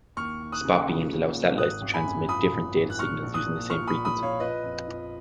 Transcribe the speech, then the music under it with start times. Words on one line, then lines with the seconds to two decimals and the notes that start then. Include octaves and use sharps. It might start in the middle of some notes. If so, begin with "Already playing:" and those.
Spot beams allow satellites to transmit different data signals using the same frequency.
0.17 D#2 C#6 F6
0.41 D#2
0.52 D#6 F#6
0.65 C#3
0.88 F3
1.12 D#2
1.34 D#2
1.58 G#1 D#6 F#6
1.81 G#1
1.94 G#5 B5
2.05 F#2
2.29 F3 B5 D#6
2.52 G#1
2.76 G#1
2.90 F#6
2.99 A#1 C#6 F6
3.23 A#1
3.34 D#6 F#6
3.46 A#2
3.70 F3 C#6 F6
3.87 B5 D#6
3.93 A#1
4.05 B5 D#6
4.17 A#1
4.23 C#5 F5
4.40 F3 B4 D#5
4.63 F2
4.88 F3